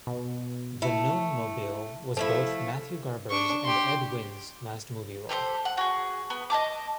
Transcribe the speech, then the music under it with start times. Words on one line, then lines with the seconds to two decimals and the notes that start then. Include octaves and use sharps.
"The Gnome-Mobile" was both Matthew Garber's and Ed Wynn's last movie role.
0.07 B2
0.82 A3 E4
2.17 F3 A3 E4 A4
3.30 D4 C#6
3.64 G4 C6
5.29 G4 A4 B4 C5
5.65 F#5
5.77 F#4 G#4
6.30 B3
6.50 D#5 E5 A5 D6